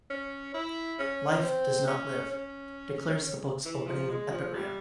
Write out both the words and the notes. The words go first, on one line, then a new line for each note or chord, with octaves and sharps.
"Life does not live", declares the book's opening epigram.
C#4
E4
C#4
C4
C#4
C#4
E3
F3
G#3
F3
G3